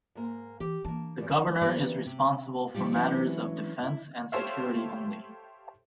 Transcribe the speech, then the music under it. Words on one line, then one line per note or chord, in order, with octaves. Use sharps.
The Governor is responsible for matters of defence and security only.
G#2 A#3
E3 G4
E3 A#3 D4 A5
E2 G#2 G3
E3 A#3 B3 G4 A#4 D5
C3
C3 D#3 F3 G3 F4 G4
E3 F#3 C#4 D4 E4 F#4
E4
G4 A4 C5 C#5 E5 F5